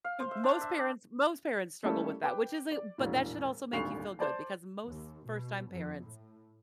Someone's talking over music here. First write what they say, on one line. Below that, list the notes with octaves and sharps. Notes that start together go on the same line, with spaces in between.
Most parents most parents struggle with that, which is a but that should also make you feel good because most first-time parents
F5
C5
E5
D4
E5
D5
G3 A3 A#3 C#4 E4 A4
B4 G5 D6
D5
E1 A#1 A2
D#1 G#1 D2 C#6 C7 F7
C5 D5 A5
D#2
B2
F2
A2